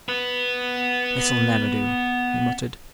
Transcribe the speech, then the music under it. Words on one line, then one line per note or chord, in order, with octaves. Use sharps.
"This'll never do," he muttered.
B3 B4